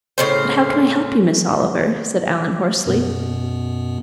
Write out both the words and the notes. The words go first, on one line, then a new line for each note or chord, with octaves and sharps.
"But how can I help you, Miss Oliver?" said Alan hoarsely.
A2 C#3 C5
F#2 B2 B3